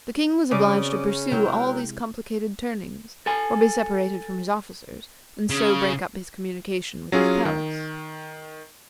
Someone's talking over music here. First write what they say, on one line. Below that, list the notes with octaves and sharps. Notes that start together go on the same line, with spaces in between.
The King was obliged to pursue all these complicated turnings, or be separated from his officers, and so break up his communication with his palace.
C#3 C4 C#4 F#4 C#5 D5 D6 D#6
C3 F#3 G#3 E4 A#4 G5
A4 G#5
C#3
F#3 C#4 F4 G#4
D#3